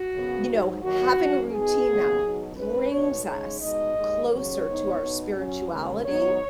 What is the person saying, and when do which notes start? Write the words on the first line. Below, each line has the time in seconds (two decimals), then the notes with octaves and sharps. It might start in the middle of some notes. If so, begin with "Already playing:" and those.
you know, having a routine that brings us closer to our spirituality,
Already playing: F#4
0.13 F#2 C#3 B3
0.47 G#2 F#3 D#4
0.82 D#2 D#3 F#3 F#4
1.17 G#2 F#3 C#4
1.52 B2 B3 D#4 G#4
1.87 D#2 C#3 F#3 B3
2.22 B2 F#3 D#4
2.56 G#2 G#3 C#4 B4
2.91 B2 B3 D#4 C#5
3.26 C#3 G#3 D#4 C#5
3.61 B2 G#3 D#4 D#5
3.96 D#2 D#3 G#3
4.30 D#2 C#3 F#3 C#4 C#5
4.65 G#2 D#3 B3 D#4
5.00 B2 B3 D#4
5.35 F#2 F#3 C#4
5.70 D#2 C#3 G#3
6.04 G#2 F#3 B3 D#4 C#5